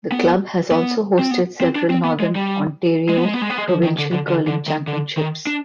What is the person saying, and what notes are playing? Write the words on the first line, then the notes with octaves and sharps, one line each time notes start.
The club has also hosted several Northern Ontario provincial curling championships.
B3
B3
C4
B3
C4
D4
C4
B3
G#3
G3
G#3
B3
G#3
B3
G#3
B3
G#3
F3
D#3
D3
D3
D3
D3
D#3
D3
D#3
D4